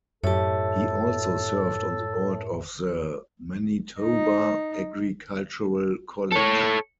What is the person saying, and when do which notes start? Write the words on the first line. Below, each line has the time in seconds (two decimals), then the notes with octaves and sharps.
He also served on the board of the Manitoba Agricultural College.
0.24 F#2 A2 G4 A4 C#5 A5
4.00 D#4
6.32 A4 C#5